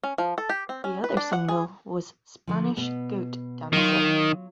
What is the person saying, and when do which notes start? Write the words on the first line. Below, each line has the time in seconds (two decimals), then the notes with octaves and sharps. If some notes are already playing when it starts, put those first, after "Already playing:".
The other single was "Spanish Goat Dancer".
0.04 C#4
0.18 F3
0.38 A4
0.49 G4
0.69 C4
0.84 C#4
1.04 B4
1.17 D4
1.33 F#5
1.48 G#4
2.47 D3 F3
2.77 B2 B3
3.73 D#3 F#3 F4